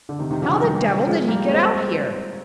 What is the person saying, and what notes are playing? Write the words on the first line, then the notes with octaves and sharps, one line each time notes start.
"How the devil did he get out here?"
D3
C3 D#3
C3 D#3
D3 F3
C3 D#3
D#3 G3
F3 G#3
G3 A#3
G#3 C4